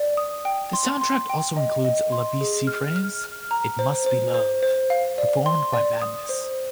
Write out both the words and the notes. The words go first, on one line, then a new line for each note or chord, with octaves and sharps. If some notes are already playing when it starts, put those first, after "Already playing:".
The soundtrack also includes Labi Siffre's "It Must Be Love", performed by Madness.
Already playing: D5
D#6
G5
C6
C6
G5
D#5
D#5
C6
G#4
F6
F6
F6
A#5
C5
C5
C5
C5
F5
D5
C6
D5
D#6
C5